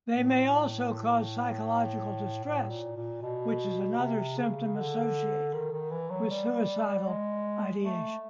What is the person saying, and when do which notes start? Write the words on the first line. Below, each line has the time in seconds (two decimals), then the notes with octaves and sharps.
They may also cause psychological distress, which is another symptom associated with suicidal ideation.
0.13 A2
2.44 A2
2.70 A#2
2.96 A#2
3.22 B2
3.99 C3
4.37 C#3
4.76 D3
5.53 D#3
5.72 D#3
5.91 E3
6.11 F#3
6.30 G3
7.07 G#3
7.84 A3